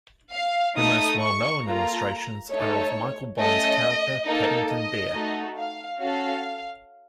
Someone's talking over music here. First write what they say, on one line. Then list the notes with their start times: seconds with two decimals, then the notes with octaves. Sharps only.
Her most well-known illustrations are of Michael Bond's character, Paddington Bear.
0.34 F5
0.77 A3 D#4 A4 D#6
1.21 C#6
1.64 A#3 F4 A4 A#5
2.51 A3 D#4 A4 C#5
3.38 A3 C#4 A4 D#5
4.26 A#3 D#4 A4
4.70 D#5
5.13 A3 D#4 F#4 A4
5.56 F5
6.00 C#4 F#4 A4 F5